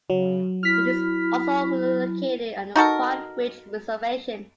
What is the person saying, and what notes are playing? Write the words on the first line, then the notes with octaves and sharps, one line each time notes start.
It is also located on the Pine Ridge Reservation.
C#3 F#3
E4 F6 B6
D#4 F#4 A4 A#4